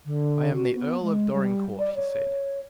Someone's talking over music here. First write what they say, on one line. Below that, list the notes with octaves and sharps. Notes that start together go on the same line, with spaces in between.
"I am the Earl of Dorincourt," he said.
D3
F#4
B3
G#3
G3
D5
C#5